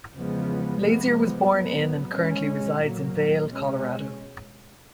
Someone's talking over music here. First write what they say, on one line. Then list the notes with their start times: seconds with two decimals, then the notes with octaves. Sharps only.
Lazier was born in and currently resides in Vail, Colorado.
0.15 E2 C#3 F3 G#3 B3
0.81 C3 F3 G#3 B3
1.48 A2 F#3 B3
2.15 B2 G#3 C#4
2.81 A#2 F#3 A#3
3.48 B2 G#3 C#4